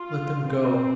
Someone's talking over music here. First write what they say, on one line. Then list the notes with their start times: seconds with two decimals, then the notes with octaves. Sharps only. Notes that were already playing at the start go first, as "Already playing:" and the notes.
Let them go!
Already playing: F4
0.47 C4